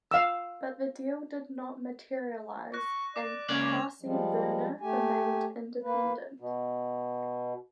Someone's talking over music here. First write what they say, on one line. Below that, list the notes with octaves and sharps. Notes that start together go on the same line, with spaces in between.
But the deal did not materialize and Carsey-Werner remained independent.
F5 E6
C#6 F#6 A#6
D5 D6
C#2 A#3 C#4 C#5 D5 F#6 G#6 F7
F3 G3 G#3
A3 G4 G#5
A#3 B4
B2